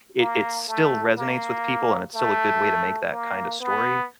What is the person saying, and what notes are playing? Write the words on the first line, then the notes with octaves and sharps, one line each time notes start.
it it still resonates with people and it's still a good way to make that kind of story,
A#3
A3
A#3
A3
A#3
B3